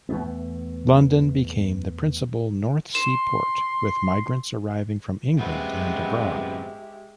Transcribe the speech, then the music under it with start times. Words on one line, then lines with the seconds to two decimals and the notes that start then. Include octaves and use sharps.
London became the principal North Sea port, with migrants arriving from England and abroad.
0.09 E2 A3 B3
2.95 C6 E7
5.38 F#2 G#3 B3 C4 G4 E5